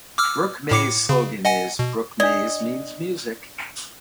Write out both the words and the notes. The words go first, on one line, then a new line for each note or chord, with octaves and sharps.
Brook Mays' slogan is "Brook Mays means music".
D6 E6 F6
A2 D6 C#7
C#3
D#5 F#5 G#5
B2
D4 D5 D#5